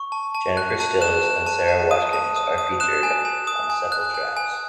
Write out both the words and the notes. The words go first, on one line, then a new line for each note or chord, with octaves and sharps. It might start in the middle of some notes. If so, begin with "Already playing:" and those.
Jennifer Stills and Sara Watkins are featured on several tracks.
Already playing: C#6
A5
A5
F#6
A5
F#6 E7
A5
A5
A5
D#6 D#7
A5
D#6
D#6
F#6 E7
G#5
G#5
D#6
G#5
F#6
G#5
G#5